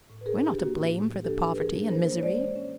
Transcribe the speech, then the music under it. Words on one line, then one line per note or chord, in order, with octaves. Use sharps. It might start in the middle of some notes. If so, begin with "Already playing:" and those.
We're not to blame for the poverty and misery.
A2
B4
A2 G#4 A#4
D4 G4
A#3 F#4
A2
A2
F3
D4 G4 A4
A2
B4
F3 G#4 A#4
D4
A#3 A#4 C5
A#3
C#5
G#3 C5 D5
E3
C#4